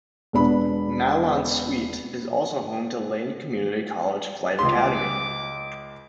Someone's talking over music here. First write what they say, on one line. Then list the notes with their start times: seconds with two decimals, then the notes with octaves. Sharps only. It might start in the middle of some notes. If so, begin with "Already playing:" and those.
Mahlon Sweet is also home to the Lane Community College Flight Academy.
0.33 E1 B3 D4 B5
4.59 C#2 C6 D6